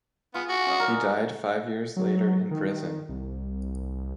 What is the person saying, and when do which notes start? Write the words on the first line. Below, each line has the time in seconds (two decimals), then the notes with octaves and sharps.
He died five years later in prison.
0.34 B3 F4 G#4
0.49 F#4
0.66 C#4 G#4 D#5
0.80 A#4 D5
1.97 F#3
2.51 D#3
3.09 C2